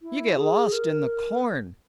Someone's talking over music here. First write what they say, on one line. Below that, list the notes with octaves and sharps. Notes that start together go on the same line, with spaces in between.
You get lost in the corn.
E4
G#4
A#4